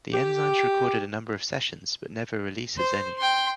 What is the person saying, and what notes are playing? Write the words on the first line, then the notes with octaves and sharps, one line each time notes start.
The Enzymes recorded a number of sessions but never releases any.
G4
C5
G5 C6